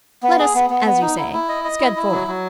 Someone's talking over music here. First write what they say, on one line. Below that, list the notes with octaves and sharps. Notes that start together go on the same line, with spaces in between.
Let us, as you say, scud forth.
B3
G#4
B3
B3
B3
D#4
E4
E4
D#5
D#5
E4
E4
F#3
F#3